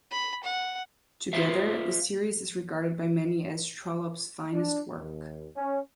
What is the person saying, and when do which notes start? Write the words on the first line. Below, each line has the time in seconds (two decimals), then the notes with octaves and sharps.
Together, the series is regarded by many as Trollope's finest work.
0.11 B5
0.43 F#5
1.33 F4 G#4 C5 E5 F5
4.52 D4
4.97 D#2
5.57 C#4